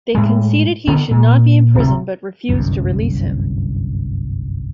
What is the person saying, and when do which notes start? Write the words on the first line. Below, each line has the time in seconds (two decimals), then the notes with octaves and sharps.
They conceded he should not be imprisoned but refused to release him.
0.15 A2 G#3
0.87 D3 D#3 B3
1.11 A#2
1.75 D1 C3
2.49 G1 C2 F#2